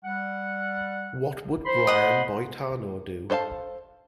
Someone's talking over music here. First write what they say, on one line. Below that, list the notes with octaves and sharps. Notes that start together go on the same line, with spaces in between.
What Would Brian Boitano Do?
G3 F#5
C5 B5 C6
D#5 F#5
A4 C5 D#5 F5 A5